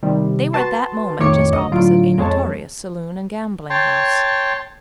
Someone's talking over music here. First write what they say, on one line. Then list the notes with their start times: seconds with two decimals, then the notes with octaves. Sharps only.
They were at that moment just opposite a notorious saloon and gambling house.
0.03 C3 D#3 G3
0.53 F#4 B4 A5 C6
1.19 F2 A2 D#3 C#5 D6 C#7
1.53 D2 D#5
1.72 A2 D3 F#3 F4 D7
2.18 F2 G#3 C#5 A5
3.70 C#5 G5 A5 C6